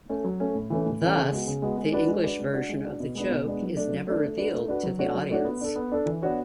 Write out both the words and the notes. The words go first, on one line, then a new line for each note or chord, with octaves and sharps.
Thus, the English version of the joke is never revealed to the audience.
A3 C#4
F#3
A3 C#4
A2
E3 A3 C#4
A2
E3 A3 C#4
C#3
G#3 B3 F#4
C#3
G#3 B3 F#4
G#3
D4 F#4 B4 D5
G#3
D4 F#4 B4 D5
G#3
D4 F#4
G#3
D4 F#4
B2
G#3 B3 D4
B2
G#3 B3 D4
F#3
A3 D4
F#3
A3 D4
A3
D4 F#4 B4
A3
D4 F#4 B4
F#3
A3 D4 F#4 C#5
F#3
A3 D4 F#4 C#5
B3
D4 A4
B3
D4 A4
E3
B3 D4 F#4 C#5